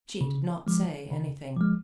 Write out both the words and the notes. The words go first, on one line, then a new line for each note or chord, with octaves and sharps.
She did not say anything.
C#3
F3 G#3
C#3
F3 G#3